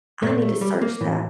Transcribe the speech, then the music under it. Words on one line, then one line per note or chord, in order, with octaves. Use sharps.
I need to search that.
A#2 A3
A3
G3
A#3
A2 E3